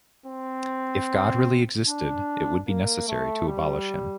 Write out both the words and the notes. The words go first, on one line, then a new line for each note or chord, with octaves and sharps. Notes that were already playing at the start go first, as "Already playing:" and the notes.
If God really existed, it would be necessary to abolish him.
C4
D4
A#3
A3
G3